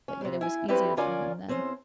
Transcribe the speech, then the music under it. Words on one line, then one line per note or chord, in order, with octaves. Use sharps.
But yet it was easier for him then.
C#4
F2 C3
E4 G#5
F3 G3 C4 E4 G4 B4
D3 C#4 F4 A#4 D5 G#5
E2 C4 C#4 C5